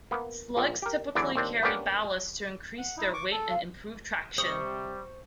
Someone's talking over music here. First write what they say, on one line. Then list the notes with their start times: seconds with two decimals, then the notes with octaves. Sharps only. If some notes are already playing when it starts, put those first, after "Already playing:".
Slugs typically carry ballast to increase their weight and improve traction.
0.11 A#3 B3
0.57 A#1 A#2
0.82 G4 A#4
1.15 E2 D3 E3 F#3 D5
1.36 D#2 C4 D4
1.62 A#3 B3 C#4 D4 G4
2.78 F#5
2.97 D#4 E4
3.14 C#6 D6
3.31 A4
3.50 F5
4.38 C3 G3 C5 C#6 D#6